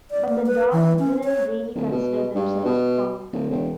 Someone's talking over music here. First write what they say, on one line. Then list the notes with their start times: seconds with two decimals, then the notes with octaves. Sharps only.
But the Dolls didn't really consider themselves punk.
0.11 D5
0.29 A#3
0.46 B4
0.72 E3
0.99 C#4
1.24 C#5
1.75 D1
1.92 B2
2.35 G2
2.65 B2
3.33 D1
3.50 E1